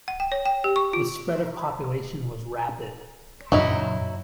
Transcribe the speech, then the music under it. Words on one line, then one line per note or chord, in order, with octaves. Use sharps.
The spread of population was rapid.
F#5
G5
C#5
G5
G4
C#6
F4
F#2 A#2 C#3 F#3 D#4 E4